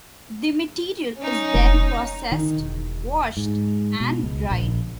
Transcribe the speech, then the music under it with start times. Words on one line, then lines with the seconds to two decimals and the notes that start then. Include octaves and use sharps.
The material is then processed, washed and dried.
1.18 C#4 D#4
1.55 F1
2.32 D#3
2.58 E1
3.37 G#2
4.00 B2
4.23 C#2
4.50 A#1